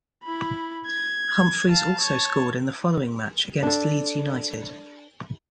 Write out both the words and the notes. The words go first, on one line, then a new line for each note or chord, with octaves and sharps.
Humphreys also scored in the following match against Leeds United.
E4 B5
G#6
F5 A5
C#5 A5
D4 A4